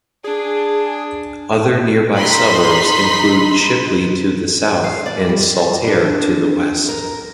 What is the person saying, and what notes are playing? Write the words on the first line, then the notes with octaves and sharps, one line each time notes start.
Other nearby suburbs include Shipley to the south and Saltaire to the west.
D4 G#4
D#4 B5 C6 B6
F5
D5
G3
D4
A#4